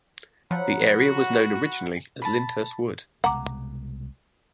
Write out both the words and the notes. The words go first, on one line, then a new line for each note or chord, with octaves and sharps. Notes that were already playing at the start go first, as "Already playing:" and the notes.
The area was known originally as Lyndhurst Wood.
F3 F#3 F#5 B5
F#4
A5 B5
C2 B2 G#3 F#5 A#5 D6